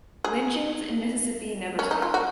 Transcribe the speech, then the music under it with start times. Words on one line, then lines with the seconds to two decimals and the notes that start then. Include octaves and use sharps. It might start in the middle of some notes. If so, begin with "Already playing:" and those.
Lynchings in Mississippi never stopped.
0.24 G#4
1.79 C#4
1.91 D#4
2.02 F4
2.14 F#4